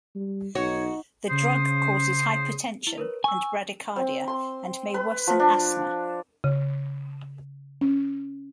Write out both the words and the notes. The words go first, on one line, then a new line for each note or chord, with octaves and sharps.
The drug causes hypotension and bradycardia and may worsen asthma.
G3
B1 D#4 F#4 C#5
C#3 C5 D#6
E4 F7
A#4 B4 C#5
G#5 C#6 E6
C4
C6
B4
F3
D4
C#3
C#4